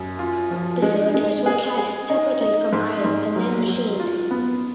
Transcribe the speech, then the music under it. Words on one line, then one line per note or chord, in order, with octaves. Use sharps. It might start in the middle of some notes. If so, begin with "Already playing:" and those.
The cylinders were cast separately from iron and then machined.
Already playing: F#2
F4
F3
G#3
G#3
G#4
G#4
D#4
D#4
G#2
G#2
F#3
F#3
F4
B3